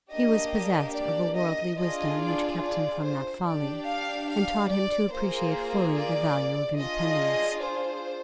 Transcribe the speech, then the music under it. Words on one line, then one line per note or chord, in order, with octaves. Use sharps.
He was possessed of a worldly wisdom which kept him from that folly, and taught him to appreciate fully the value of independence.
A#3 D4 G4 D#5
D5
D#5
D4 F4 G#4 D#5
D5
D5
C5
D4 G4 D5
F5
F5
D5
A#3 F4 G#4 C5
D5
D4 F4 G#4 D#5
C5